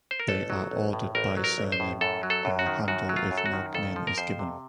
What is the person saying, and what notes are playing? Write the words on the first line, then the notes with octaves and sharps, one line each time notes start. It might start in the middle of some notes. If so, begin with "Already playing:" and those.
They are ordered by surname, or handle if no name is given.
C5
A#4
A1 A4
F#3
A1
A2
A1 A#4
F#3
A#4
A1
C5
A2
F#2 A4
F#3
A4
F#2
F#4
D#3
F#2 F#4
F#3
F4
F#2
A4
F#4
D#3
F2 A4
F3
A#4
F2 C5
C3